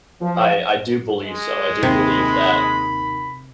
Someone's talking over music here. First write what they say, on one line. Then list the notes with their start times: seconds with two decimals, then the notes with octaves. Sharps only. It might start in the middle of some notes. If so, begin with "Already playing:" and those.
I I do believe so. I do believe that,
0.22 F3
1.24 G#3
1.83 D#2 C3 B5